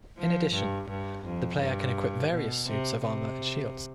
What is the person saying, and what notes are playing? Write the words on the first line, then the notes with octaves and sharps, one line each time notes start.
In addition, the player can equip various suits of armor and shields.
F3
G2
G2
F2
G2
B2
C3
C3